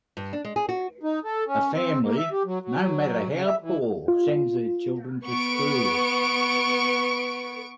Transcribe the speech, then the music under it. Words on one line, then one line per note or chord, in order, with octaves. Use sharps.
A family no matter how poor, sends their children to school.
G2
D4
G#3
G#4
F#4
D#4
A4
C#4
C4
A#3
E5
G4
F#3
F#3
C#3
E5
E3
F4
B3 C#6 D7